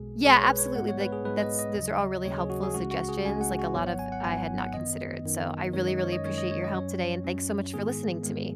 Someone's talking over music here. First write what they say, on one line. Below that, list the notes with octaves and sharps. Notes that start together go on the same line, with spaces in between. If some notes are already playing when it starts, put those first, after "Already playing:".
Yeah, absolutely, like, that's those are all really helpful suggestions, like, a lot of I had not considered, so, I really, really appreciate your help today, and thanks so much for listening to me.
Already playing: B1 B2 G#3 G#4
B1 B2 G#3 G#4
C#5
B4
C#5
G#2 G#3 B3 F#5
C#5
B4
G#4
G#2 G#3 B3 B4
D#5
D#5
D#2 C#3 F#3
D#2 C#3 F#3 C#5
G#4
F#4
G#4
C#2 C#3 G#3 F#4
F#4
G#4
C#2 C#3 G#3 G#5
F#5
F#4
G#1 G#2 F#3 B3 C#5
F#5
G#5
F#5
G#1 G#2 F#3 B3 G#5
F#5
F#2 D#3 B3 D#5
F#2 D#3 B3
F#2 D#3 G#3 C#4 C#5
D#5
C#5
D#5
F#2 D#3 G#3 C#4 C#5
D#5
C#5
D#5
F#2 F#3 C#4 C#5
F#2 F#3 C#4
G#2 D#3 G#3 B3 G#4
G#2 D#3 G#3 B3